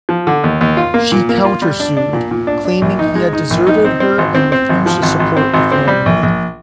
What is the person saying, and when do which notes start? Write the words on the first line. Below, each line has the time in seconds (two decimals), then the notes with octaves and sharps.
She countersued, claiming he had deserted her and refused to support the family.
0.09 F3
0.27 D3
0.44 D#2
0.61 D#2
0.77 F4
0.94 A#3
1.12 A#2
1.29 A#3
1.45 F4
1.62 G3
1.80 D4
1.97 D4
2.13 A#2
2.31 A#2
2.47 D4
2.65 D4
2.82 A#1
2.99 D#4
3.15 G#3
3.33 D#4
3.50 A#1
3.67 D#4
3.84 C4
4.00 C4
4.18 G#1
4.35 C4
4.52 C4
4.69 G#1
4.86 F3
5.02 G#1
5.20 G#1
5.37 C4
5.54 G#1
5.72 C4
5.88 G3
6.06 A#1
6.23 A#1